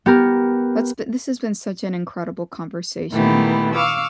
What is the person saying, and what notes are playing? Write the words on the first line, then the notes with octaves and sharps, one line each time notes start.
That's b this has been such an incredible conversation.
B3 G4 A#4
A#2 D#3 E3 A3 B3 G4
F5 C#6 D6 E6